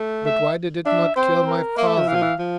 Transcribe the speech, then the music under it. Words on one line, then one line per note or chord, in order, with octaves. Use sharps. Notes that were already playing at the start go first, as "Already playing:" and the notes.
"But why did it not kill my father?"
Already playing: A3
E5
D4 E5
C4 C5
A#4
A#3 E5
A3
F3
E3 F5
F3
E3
F3